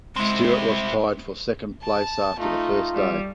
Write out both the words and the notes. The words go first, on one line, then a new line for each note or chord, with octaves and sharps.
Stewart was tied for second place after the first day.
G#3 C4 E4
A5
A3 D#4 F4
G3